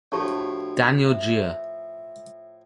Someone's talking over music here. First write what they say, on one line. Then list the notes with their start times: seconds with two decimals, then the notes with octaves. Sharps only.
Daniel Jiya.
0.12 A2 F3 D4 F#4 G4 A5 C#6
1.08 E5